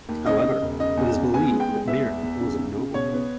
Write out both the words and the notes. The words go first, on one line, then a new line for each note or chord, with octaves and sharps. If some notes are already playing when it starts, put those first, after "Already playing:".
However, it is believed that Mirin was of noble birth.
D#2
C#3 D#5
C#3
E1
C#3 D#5
E2
C#3
B3 G#5
G#3
G5
G#3
B3 E5
E2
E2
C#3
C#3
C#3
B2 C#5
B3